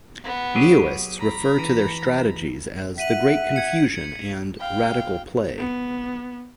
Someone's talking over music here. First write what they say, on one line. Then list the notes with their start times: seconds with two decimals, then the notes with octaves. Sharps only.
Neoists refer to their strategies as "the great confusion" and "radical play".
0.24 B3
0.55 F#3 G4 G#4
1.19 A#5 B5
1.59 E3
2.98 E5 F#5 B6 D#7 F#7
3.56 G#6 C#7
4.60 F5 G5
5.58 B3